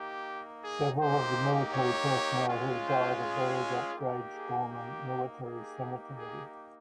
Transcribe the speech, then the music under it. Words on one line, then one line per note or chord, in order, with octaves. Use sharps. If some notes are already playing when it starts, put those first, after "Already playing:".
Several of the military personnel who died are buried in Grangegorman Military Cemetery.
Already playing: A#3 D#4 G4
G#4
A#3 D#4 G4 C5
C#5
G#3 C#4 F4
C5
G#4
A#3 D#4 G4
G#4
G4
A#3 D#4 G4 G#4
G#4